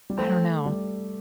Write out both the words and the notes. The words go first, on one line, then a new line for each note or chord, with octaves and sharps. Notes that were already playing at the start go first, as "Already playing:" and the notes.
I don't know.
G3
A3 C4
G3